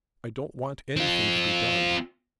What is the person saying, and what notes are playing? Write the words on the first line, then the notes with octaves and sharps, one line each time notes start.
I don't want anything to be done.
C4 F4